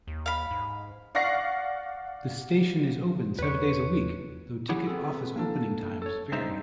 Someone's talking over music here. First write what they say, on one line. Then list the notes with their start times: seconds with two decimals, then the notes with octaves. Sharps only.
The station is open seven days a week, though ticket office opening times vary.
0.07 D#2
0.26 F5 B5
0.51 G#2
1.15 D5 F5 F#5 C#6 A#6 C7
3.39 E2 B4 C#5
4.69 E4 G4 G#4 C#5 F#5
4.87 B3 C4 G#4 A4
5.36 A#3 D4 A4
6.02 A4 C#5
6.32 G2 C4 D#4 C5 E5 A#5